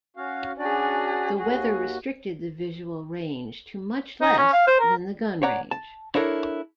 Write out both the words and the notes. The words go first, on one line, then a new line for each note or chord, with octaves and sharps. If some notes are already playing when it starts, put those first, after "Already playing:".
The weather restricted the visual range to much less than the gun range.
C#4 F#4 F5
C#4 D4 F#4 G#4 D5
D#2 F#4 G#4
D#4
C#4
F5
C5
A#4
C#5 D5 F#5 A#5
A5
D4 E4 A4 A#4 C#5